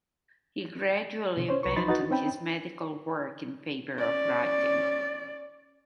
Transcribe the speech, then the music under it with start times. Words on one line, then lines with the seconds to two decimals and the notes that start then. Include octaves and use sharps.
He gradually abandoned his medical work in favour of writing.
1.37 B2 D3 C5
1.49 C#4 C5 C#5
1.63 C2 B4 C#6
1.76 F3 D#4 B5 C6 A6
1.88 D#4 F#4 B4 A6
2.11 C4 C#4 D#4 G5 B5
3.96 C#4 D5